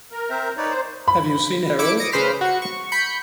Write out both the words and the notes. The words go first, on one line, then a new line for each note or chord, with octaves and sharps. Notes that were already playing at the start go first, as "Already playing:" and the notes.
Have you seen Harold?
A#4
C4 C5 E5
D#4 B4 C#5 D5
C5
B5
E4 D6 E6 C#7 D7
D#6 A#6 C#7 D7
C#3 B4 C5 F6 B6
F#4 C#7
C#6
B5 G6 C#7